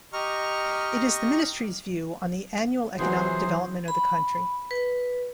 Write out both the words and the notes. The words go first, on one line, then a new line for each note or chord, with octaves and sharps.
It is the ministry's view on the annual economic development of the country.
G4 D#5 A#5 C#6 F6
C3 E3 F#3 F4 F#4 G#4 C5
B5
B4